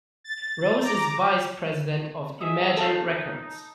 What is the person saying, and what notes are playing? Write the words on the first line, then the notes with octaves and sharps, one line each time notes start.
Rose is vice president of Imagen Records.
A6
A#5 D6
G#4 D#5 E5 G#5
D#4 A4 F5 A5 E6